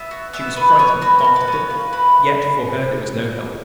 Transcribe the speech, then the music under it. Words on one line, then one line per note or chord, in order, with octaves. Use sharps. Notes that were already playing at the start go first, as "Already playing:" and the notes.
She was frightened half to death; yet for her there was no help.
Already playing: B3 E5
F#4
B3 E5
B3 B4
B3 C#5
F#4 B4
A#4
F#4
B4
B3
C#5
A#3 B4
E4 B4